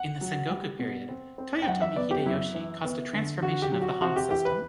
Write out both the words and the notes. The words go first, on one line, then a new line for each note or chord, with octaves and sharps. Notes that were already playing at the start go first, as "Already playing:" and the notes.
In the Sengoku period, Toyotomi Hideyoshi caused a transformation of the han system.
Already playing: F#5
F#3
G3
B2
C4
C4
G5
F#2 F#5
E5
B3 D5
G4
F#2 E4
E3
B3
D3
D3 F#4
G4
F#3
F#4
C3 F#4
G4
E3 G4
B4